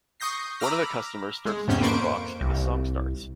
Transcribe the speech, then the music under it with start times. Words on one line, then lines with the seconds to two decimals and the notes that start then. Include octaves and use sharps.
One of the customers starts the Jukebox and the song starts.
0.20 C#6 D#6 G6 A#6 C7
0.60 A#5 B5 D6 E6 F6 A#6
1.45 G#3
1.68 E2 G#2 C3 C#4 G6
1.80 F2 A#3 B4 C5 C#6 D7
2.41 C2